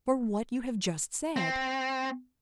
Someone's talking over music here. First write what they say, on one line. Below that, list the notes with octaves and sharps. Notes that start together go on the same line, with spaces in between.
"For what you have just said."
C4